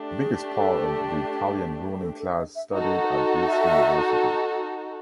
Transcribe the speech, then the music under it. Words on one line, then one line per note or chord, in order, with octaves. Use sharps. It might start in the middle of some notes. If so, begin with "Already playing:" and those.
The biggest part of the Italian ruling class studied at this University.
Already playing: A3 D4 G4
G#4
A4
A4
A4
D#5
E5
D#4 F#4 A4 D#5
E5